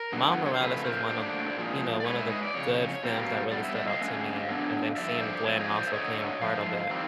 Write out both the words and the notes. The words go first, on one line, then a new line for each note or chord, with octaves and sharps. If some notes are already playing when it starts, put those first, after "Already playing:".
Miles Morales was one of you know, one of the good films that really stood out to me, and then seeing Gwen also playing a part of it,
Already playing: A#4
G2 D3 F#3 B3
C#5
C5
F2 C#3 A3 B4
A#4 C5
A#2 F#3 A3 D4 C5 D5
A#2 F3 G#3
D5
G#2 E3 G#3 B4 C#5
E5
D#5
D5
F2 C#3 C#5
B2 G3 A#3
E2 B2 G3 B3 D5
D5 E5
D5 E5
D#5 F5
D3 F#3 A3 C#4
D3 F#3 B3 D4
G2 D3 F3 D5 E5
C5 D5
G#2 F3 C4 C#5
C#5 D#5
C5 D5
E5
D3 F#3 A3 C#5 D#5
G#2 F3 A3 F5
D#3 G3 C4